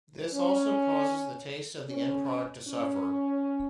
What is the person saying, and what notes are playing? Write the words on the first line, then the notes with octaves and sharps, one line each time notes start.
This also causes the taste of the end product to suffer.
C#4
C#4
C#4